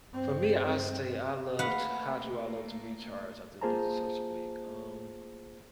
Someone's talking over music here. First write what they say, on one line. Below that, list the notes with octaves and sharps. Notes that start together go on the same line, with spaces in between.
for me, I say I loved how do I love to recharge after a busy social week? Um,
G2 C4
A3 A#3 B4 F5 F#5
A#3 F4 G#4 C5 A5 A#5